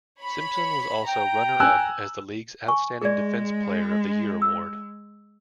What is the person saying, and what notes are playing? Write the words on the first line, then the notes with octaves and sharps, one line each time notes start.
Simpson was also runner-up as the league's Outstanding Defensive Player of the Year Award.
C#5 B5
G5 A#5
G#5 E6 F#6
G#5 C#6
G#3 G#4 D5
E6